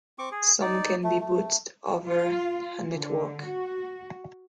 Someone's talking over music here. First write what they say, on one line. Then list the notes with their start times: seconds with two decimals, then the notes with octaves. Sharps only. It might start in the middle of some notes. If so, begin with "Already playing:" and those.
Some can be booted over a network.
0.19 C4 C#6 D6
0.32 G#4
0.61 D#4 D5
1.03 A3
1.20 A3
2.07 F4
2.96 D3
3.43 F#4